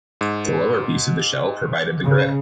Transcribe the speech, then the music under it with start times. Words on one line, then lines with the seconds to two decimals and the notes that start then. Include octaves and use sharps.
The lower piece of the shell provided the grip.
0.21 G#2
2.04 C#3